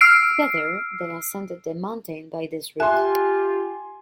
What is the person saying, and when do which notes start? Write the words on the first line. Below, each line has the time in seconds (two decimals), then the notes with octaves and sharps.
Together, they ascended the mountain by this route.
0.01 E6 F6 C7 D7
2.80 F4 G4 E5 G#5 C6 F#6